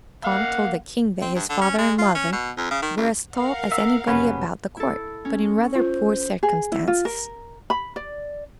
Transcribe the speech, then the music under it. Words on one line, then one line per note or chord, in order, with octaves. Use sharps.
Tom told the King that his father and mother were as tall as anybody about the court, but in rather poor circumstances.
A#3 F5 F#5
C4
G2
D3
C#4
G#3
F4
C#4
B2
F2
C#3
D#3
C#2
A#4 F5 F#5
E5
F#1 C2 F#2 B3 C#4 G4 B4
E4 A4
C#4
F4 C5
G#4
E4
F4
A#4
B5
D5